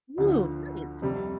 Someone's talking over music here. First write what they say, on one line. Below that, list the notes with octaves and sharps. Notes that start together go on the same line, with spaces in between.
Ooh, nice.
D2 D3 F3
F2 C3 G3